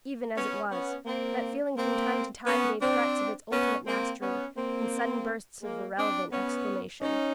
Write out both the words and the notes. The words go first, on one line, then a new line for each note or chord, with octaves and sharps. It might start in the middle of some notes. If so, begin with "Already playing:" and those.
Even as it was, that feeling from time to time gave threats of its ultimate mastery, in sudden bursts of irrelevant exclamation.
B3 C#4
B3 C#4
A#3 C4
A#3 C4
B3 C#4
C4 D4
B3 C#4
A#3 C4
B3 C#4
A#3 C4
G#3 A#3
C4 D4
B3 C#4
C#4 D#4